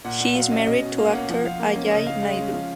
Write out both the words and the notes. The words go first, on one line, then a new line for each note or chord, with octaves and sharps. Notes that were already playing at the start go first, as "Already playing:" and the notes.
She is married to actor Ajay Naidu.
A#2 F#5
A#2 F#5
F#3 F5
C#4 D#5
B2 D#5
B2
A#3 F5
C#4 F#5
F3 F#5
F3 F5
A#3
C#4
C#3 D#5
C#3 F5
G#3 F5
C#4
F3 F5